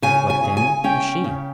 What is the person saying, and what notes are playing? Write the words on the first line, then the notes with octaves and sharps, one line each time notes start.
What, then, was she?
C#3 G#5
G#5
C#3
G#5
C#4 G5
C#3